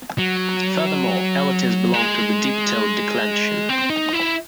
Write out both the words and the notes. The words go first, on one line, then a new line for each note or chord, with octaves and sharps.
Furthermore, elatives belong to the diptote declension.
F#3
G#3
C4
D#4
E4